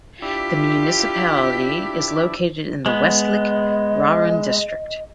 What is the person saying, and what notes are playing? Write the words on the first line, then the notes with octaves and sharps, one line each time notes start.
The municipality is located in the Westlich Raron district.
D4 E4 F4 G4 B6
G#3 B3 D#5